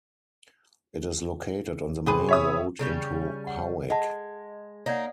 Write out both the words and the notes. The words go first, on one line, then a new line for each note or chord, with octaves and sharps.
It is located on the main road into Howick.
C3 G#4 B4
C#5 E5 D#6
C#3 G3 C#4
F#5
G#3 D#5 F#5 A5
A#3 D#4 C#5 D5 F#5